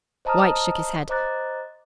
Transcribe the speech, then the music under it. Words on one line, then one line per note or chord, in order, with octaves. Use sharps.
White shook his head.
C5 D#5 A5 A#5 D#6 F6
C5 D#5 A#5 D6 F#6 A6